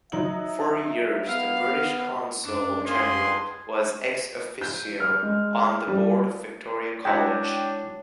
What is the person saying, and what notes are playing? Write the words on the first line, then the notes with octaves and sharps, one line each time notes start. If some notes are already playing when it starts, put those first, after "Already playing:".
For years the British Consul-General was "ex officio" on the board of Victoria College.
F#3 D#4 E5 F#7
B3 F5
F#2 D4
F4 G4 G#4 C6
G6
F6
G#3
G3
G#3 D4 E4 F#4 C#5 G5